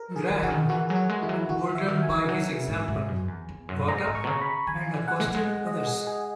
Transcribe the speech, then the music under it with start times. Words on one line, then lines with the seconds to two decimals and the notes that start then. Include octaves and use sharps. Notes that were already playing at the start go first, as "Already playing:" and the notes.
Graham, emboldened by his example, got up and accosted others.
Already playing: A#4
0.16 G#4
0.30 D#3
0.43 C#3 F#4
0.50 D#3
0.69 E3 F#4
0.89 F#3 G#4
0.95 F#4
1.09 G#3
1.22 E3 E4
1.29 F#3
1.49 E3 F#4
1.69 D#3
1.75 E5
1.83 C#3
1.88 D#3
2.03 G#5
2.09 E3
2.29 F#3
2.49 C#3
2.68 G#2
2.88 G#2
3.08 F#2
3.28 E2
3.49 E2
3.69 F#2
3.88 G#2 A#5
4.08 G#2
4.15 C#6
4.24 B2
4.27 C#3
4.42 B5
4.67 D#3 G#5
4.94 E3
5.08 F#5
5.20 G#3
5.27 F#3
5.35 G#3
5.67 D#5
5.87 G#4
6.07 G#4